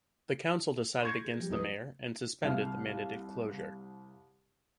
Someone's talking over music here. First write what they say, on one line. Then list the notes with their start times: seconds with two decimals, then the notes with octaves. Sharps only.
The Council decided against the mayor and suspended the mandated closure.
1.03 C6 C#6 G6 G#6 A#6 C#7
1.24 G#4
1.38 F3 G3
1.49 D#1 F3 D#4 B4 D#6
2.43 C2 F5 F6